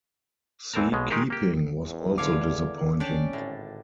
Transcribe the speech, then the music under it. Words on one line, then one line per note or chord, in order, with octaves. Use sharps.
Sea keeping was also disappointing.
E2 E3 C4 A#4 A5 A#5
B1 B2 G#3
D#3 G#3 D#4 G4 G#4 A#4
A#3 G4
E2
D3 C#5 F5 D6
C#4 D4 G4 D5
G#1 A2